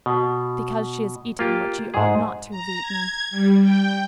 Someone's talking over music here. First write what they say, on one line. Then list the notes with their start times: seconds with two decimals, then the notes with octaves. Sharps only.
'Because she has eaten what she ought not to have eaten.
0.06 B2
1.39 A#3 F4 G4
1.94 G#2 G#4
2.50 A#5
2.81 G#6
3.30 G3
3.60 G5